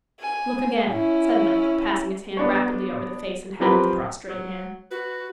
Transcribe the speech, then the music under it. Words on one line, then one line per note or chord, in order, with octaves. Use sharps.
"Look again," said Link, passing his hand rapidly over the face and head of the prostrate man.
G#5
C#4 E4
B3 D4 C#5
F3 F#3 C4 G4 A#4 B4
F#3
F#4 B4